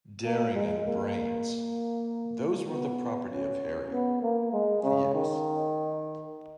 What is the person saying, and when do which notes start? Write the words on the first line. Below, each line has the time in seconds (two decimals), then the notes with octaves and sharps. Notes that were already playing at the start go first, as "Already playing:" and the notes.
Daring and brains, those were the property of Harry — yes.
0.24 A#3
0.55 G#3
0.86 A#3
2.69 B3
3.31 C#4
3.91 B3
4.22 A#3
4.53 G#3
4.83 C#3
5.14 D#3